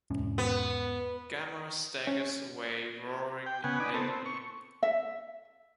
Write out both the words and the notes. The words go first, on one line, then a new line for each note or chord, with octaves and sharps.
Gamera staggers away, roaring in agony.
E1 G#2 C#4
B3
C#4
G5
C#3 B3 F#5 G#5
D#4 B4 D5
B3 C4 A4
C4
C#6
E5